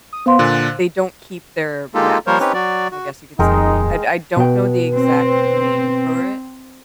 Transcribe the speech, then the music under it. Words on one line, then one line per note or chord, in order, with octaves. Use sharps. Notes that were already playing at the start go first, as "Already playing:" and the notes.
they don't keep their mass, I guess you could say. I I don't know the exact name for it
D#6
B3 C5 F5 C6
A#2 D3 F#6
G#3 A#3 D#4 F4 G4 A4
F3 G3 A#3 A#4 C5 C#5
C4 C#4 D#4 G4 B4 C#5
F#3 F#4 D5
F#4
D#1 F2 G#3 D#4 A#4 G5
B2 B4 G5
C4